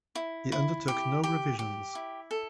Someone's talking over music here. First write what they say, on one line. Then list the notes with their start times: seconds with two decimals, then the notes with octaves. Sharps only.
He undertook no revisions.
0.15 E4
0.52 E4
0.88 G4
1.24 G4
1.59 G4
1.95 E4
2.31 A4